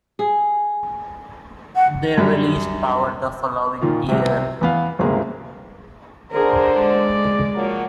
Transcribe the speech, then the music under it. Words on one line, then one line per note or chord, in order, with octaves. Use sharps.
They released "Power" the following year.
G#4
F#5
F#2 G3
A#2 D#3 F4
C2 C3
E2 B3 F5
G1 C#2 C3 A#3 G#4
D3 G#4 A#4 C5
G#3 D5
F3 F#3 A#3